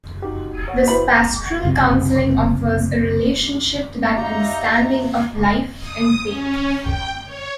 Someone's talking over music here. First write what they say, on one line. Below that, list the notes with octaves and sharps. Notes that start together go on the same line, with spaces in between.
Thus pastoral counseling offers a relationship to that understanding of life and faith.
D#4 F#4 G4
C#5 F#5
E4 F#4 B4 C5 B5
F#1 B1 C3
G3 D#4 F#4 E5 F5 A#5
D#6
C#4
G5
C#5